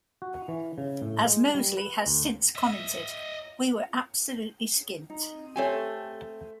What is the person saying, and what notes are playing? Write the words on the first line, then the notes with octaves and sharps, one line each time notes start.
As Mosley has since commented: We were absolutely skint.
F#4
E3
C#3
A2
G#3
G3
B4
D2
D#5 E5
D#4
A3 C4 G4 C#5 G#5